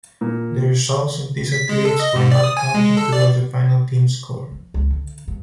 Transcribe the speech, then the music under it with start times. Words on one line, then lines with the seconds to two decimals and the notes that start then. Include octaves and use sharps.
The results of these athletes were not counted towards the final team score.
0.21 A#2
1.52 B6
1.69 G#3
1.85 A4
2.00 D#5
2.16 G#2
2.32 D5
2.44 D#6
2.57 G#5
2.74 G#3
2.97 A4
3.12 D5
4.51 F3
4.74 C#2
4.90 D3
5.28 G2